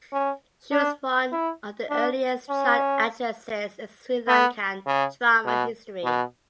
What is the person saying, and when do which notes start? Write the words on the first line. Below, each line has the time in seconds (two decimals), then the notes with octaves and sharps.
She was one of the earliest child actresses in Sri Lankan drama history.
0.13 C#4
0.72 D4
1.32 E4
1.90 D4
2.49 C#4
4.28 B3
4.86 C#3
5.46 B2
6.04 B2